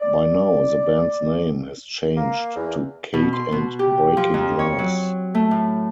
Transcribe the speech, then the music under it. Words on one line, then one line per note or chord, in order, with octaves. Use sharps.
By now the band's name has changed to "Kate and Breaking Glass".
D5
A#3
E2
B2
C6
B2
G4
F3
F2
C#5
F#3
A3
A2